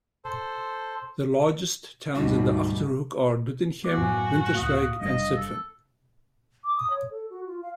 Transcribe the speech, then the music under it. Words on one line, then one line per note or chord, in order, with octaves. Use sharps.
The largest towns in the Achterhoek are: Doetinchem, Winterswijk, and Zutphen.
A4 C5
D2 G#2 B2 G3 D#4 F#4
A#3 B3 F#4 D6
F#2 A2 F#3 G#5
C#2 A2 A#3 F5 D#6
F#1 G3 D4 D#5
A4
D6
D#6
C#5
A4
F#4
F4
F5